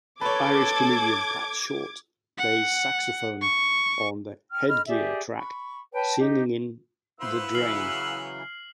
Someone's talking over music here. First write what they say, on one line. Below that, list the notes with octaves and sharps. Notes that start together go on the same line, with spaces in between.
Irish comedian Pat Shortt plays saxophone on the "Headgear" track "Singin' in The Drain".
A4 B4 C#5 D6 G#6
F#5
C#6
G5 F6
D#5 B5 F6
G4 G#4 D5 E5
B5 C#6
B4 C#5 G5 A5
D#4 G4
G#2 B3 E4 F4 B4 C5 C6 E6
C#3 E3 F#3 F6 C7 F#7